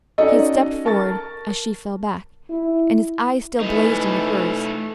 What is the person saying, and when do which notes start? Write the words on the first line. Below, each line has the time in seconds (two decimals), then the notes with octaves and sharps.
He had stepped forward as she fell back, and his eyes still blazed into hers.
0.18 C#4 D#4 F#4 A4 D5 D#5
0.85 A#4 A5 C#6 A6
2.50 E4
3.60 E3 A3 D#4